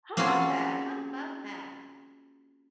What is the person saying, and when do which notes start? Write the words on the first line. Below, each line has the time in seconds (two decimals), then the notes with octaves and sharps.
How 'bout that? How 'bout that?
0.17 A#3 C4 C#4 F4 F#4 G#4